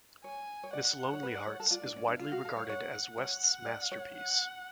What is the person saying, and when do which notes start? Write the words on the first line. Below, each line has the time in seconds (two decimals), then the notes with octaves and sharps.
"Miss Lonelyhearts" is widely regarded as West's masterpiece.
0.24 C#5 G#5
0.64 C#5
0.73 D5 F#5
1.13 C#5
1.23 B4
1.35 D5
1.47 C#5
1.60 A4
1.71 F4 D5
1.83 D4
1.96 C#4
2.08 D4
2.20 F4 F5
2.32 F#4
2.45 A4
2.57 C#5
2.69 C#5 F#5
3.18 C#5 F#5
3.66 D5
3.92 C#5
4.15 F#5